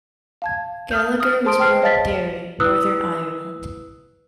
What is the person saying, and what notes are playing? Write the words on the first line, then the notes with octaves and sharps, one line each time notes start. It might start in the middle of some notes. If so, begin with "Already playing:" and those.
Gallagher was born in Derry, Northern Ireland.
F5 A5 G#6
D#6 F6 G6
D#6 F6
G#4 C5 A5 C6 D#6 D7
B4 C5 G5 A5 F6 C7
C#5 D#5 F5 A5 A6 B6
E4 B4 D#6 E6 F#6